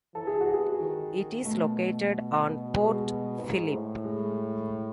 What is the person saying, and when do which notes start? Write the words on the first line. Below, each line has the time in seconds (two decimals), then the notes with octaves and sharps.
It is located on Port Phillip.
0.15 E3 A4
0.27 G#4
0.41 F#4
0.54 G#4
0.80 D#3
1.45 B2 A3
2.74 G#3
3.40 G#2
3.72 A2
4.04 G#3